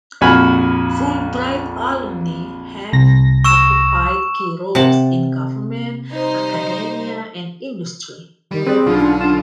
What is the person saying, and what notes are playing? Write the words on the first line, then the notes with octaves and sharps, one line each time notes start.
Fulbright alumni have occupied key roles in government, academia, and industry.
A#1 F2 F#4 G#5 B5 F6
C2 A#6
C#6 E6 E7
C3 F#5 A5
G3 D#4 C5
D#3 G3
C4 G#4 B4 D5
B1 D3 F4
C#4 D4
F4 E7